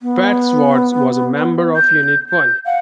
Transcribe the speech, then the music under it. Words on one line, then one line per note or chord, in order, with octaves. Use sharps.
Wadsworth was a member of Unit One.
B3
G6
G6
F5 F#5